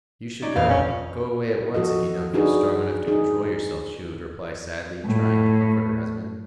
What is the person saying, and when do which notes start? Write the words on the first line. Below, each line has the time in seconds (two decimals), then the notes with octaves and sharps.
"You should go, go away at once, if you don't feel strong enough to control yourself," she would reply sadly, trying to comfort her husband.
0.42 C#4 D#4 D5
0.56 E1 A#1 F2 F5
0.69 C#4
1.74 F3 F#4 A4 D#5
2.34 D4 D#4 F#4 G#4 B4
3.07 D#4 G#4
5.05 A2